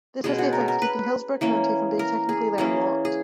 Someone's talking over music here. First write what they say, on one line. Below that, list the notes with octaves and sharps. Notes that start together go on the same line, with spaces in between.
This has the effect of keeping Hillsborough County from being technically landlocked.
B2 G#3 C#4 G#4
F#4
A#4
A#4
B4
E3 A#3 C#4
A#4
G#4
E3 A#3 C#4 G#4
G#4